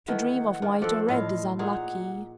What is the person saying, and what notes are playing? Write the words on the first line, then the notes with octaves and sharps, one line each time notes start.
To dream of white or red is unlucky.
D#3 E3 A3 F#5
D#3 D4
F3 A4 D5 F#5
A2 F4 D#5 F5
A#2 D#4 G#4 F#5